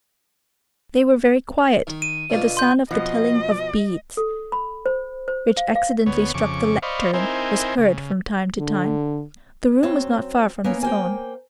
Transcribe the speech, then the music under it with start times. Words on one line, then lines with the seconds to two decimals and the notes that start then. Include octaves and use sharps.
They were very quiet, yet the sound of the telling of beads, which accidentally struck the lectern, was heard from time to time. The room was not far from his own.
1.87 D#3
2.02 D#7
2.30 B2 D3 F4
2.57 C6 G6
2.91 B2 F3 D#5
4.17 A4
4.52 B5
4.86 C5
5.28 C5
5.57 F5
5.75 F5
6.06 D2 B3 C#5
6.34 F2 C#3 C#6 D6
6.82 C5 D5 D#5 F5 B5 C#6
7.14 C4 D#4 E4 A#4 C5 G#5
7.78 C#3
8.59 D3
9.83 F#2 C4 C#5 G5
10.64 A#3 B3 C#4
10.83 A#3 A#4 C5 G5 G#5